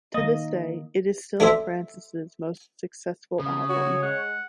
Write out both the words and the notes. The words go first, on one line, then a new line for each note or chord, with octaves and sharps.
To this day, it is still Francis' most successful album.
D#3 A#3 D#5
A3 D4 G4 C5 E5
C#3 D#6
F#4 C#5
G#3 F#5